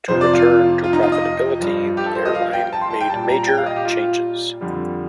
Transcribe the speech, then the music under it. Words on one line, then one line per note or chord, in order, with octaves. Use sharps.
To return to profitability, the airline made major changes.
F2 C3 F3 C5
D5
F4
F4
D#4
F4
D#5
G2 F3
G4
A4
C5
D#5
F5
G5
A5
C6
A5
G5
A#2 G3 A5
A#5
G5
F5
D#5
G4
F4
F2 D3 G3